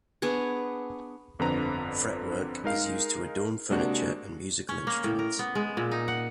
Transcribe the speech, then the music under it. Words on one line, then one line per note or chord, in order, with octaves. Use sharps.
Fretwork is used to adorn furniture and musical instruments.
B3 D4 G#4 C#5
G1 F2 D3 C4 B4 A#5
G#3 D#4 A#4 F5
C3 G#3 A#3 D4 F#4
C#4
A#3
A2
A#4
B3
G#3
A#2
D#4
F#5